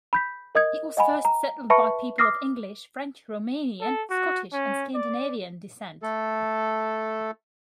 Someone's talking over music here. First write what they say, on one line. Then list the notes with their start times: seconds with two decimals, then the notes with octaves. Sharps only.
It was first settled by people of English, French, Romanian, Scottish and Scandinavian descent.
0.13 B5 G6 B6
0.55 A#4 D#5 D#6 G#6
0.97 D#5 F#5 G#5 B5
1.25 A#5
1.70 B4 E5 A5 B5 C#6 C#7
2.18 D6 D#6 F6 A#6 C7
3.81 A4
4.10 F#4
4.53 C#4
4.94 D5
6.02 A3 A4